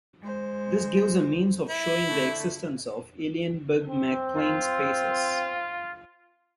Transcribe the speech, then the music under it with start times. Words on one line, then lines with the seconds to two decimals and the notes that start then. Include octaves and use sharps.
This gives a means of showing the existence of Eilenberg-MacLane spaces.
0.21 G#3 C5
1.69 E4
2.07 D3 A3
3.88 C4
4.37 F4